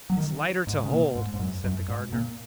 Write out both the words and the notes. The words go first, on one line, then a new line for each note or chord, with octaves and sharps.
"It's lighter to hold," said the Gardener.
F#3
D#3
G#2
C#3
A#2
G#2
G#2
F#2
F#2
G#2
A#2